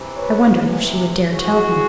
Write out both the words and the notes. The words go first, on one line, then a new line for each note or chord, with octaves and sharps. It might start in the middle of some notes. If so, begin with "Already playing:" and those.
I wondered if she would dare tell him.
Already playing: C3 E3
B4 C#5
C3 E3
C#3 E3 F#4 G#4